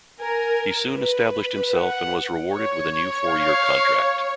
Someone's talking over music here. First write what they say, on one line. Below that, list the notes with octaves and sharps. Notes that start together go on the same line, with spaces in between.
He soon established himself and was rewarded with a new four-year contract.
A#4 G#5
B4
F#5
C#5
F5